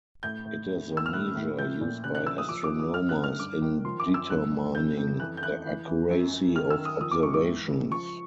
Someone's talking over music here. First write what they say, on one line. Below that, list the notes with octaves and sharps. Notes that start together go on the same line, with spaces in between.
It is a measure used by astronomers in determining the accuracy of observations.
A2 G6
A2
F#2
D#3
E6
F6
A2 F#6
A2
F3 G6
A#2
C#3 F#6
F#6
F3 E6
D#6
F3 D6
D6
F3
D#6
F#2 F6
F#6
D3
F6
G2 D6
D#3
F3 C6
D6
F#2
E6
G2 F#6
D#3
C#3 G6
F2
E3 F#6
G6
E3 F#6
E3
E3
F#2
F#2
D#3 F6
E6
D#3
D#6
F3 D#6
D6
G#2 C#6
D6
E3
C#3
F3 C#6